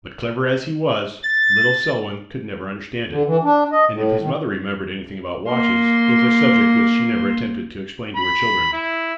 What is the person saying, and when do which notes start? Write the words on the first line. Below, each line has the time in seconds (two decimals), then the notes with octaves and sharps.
But clever as he was, little Selwyn could never understand it, and if his mother remembered anything about watches it was a subject which she never attempted to explain to her children.
1.23 A6
3.10 D3
3.26 E3
3.44 D4
3.72 D#5
3.92 A2
4.20 D#3
5.49 A#3 C6
8.16 B5
8.73 E4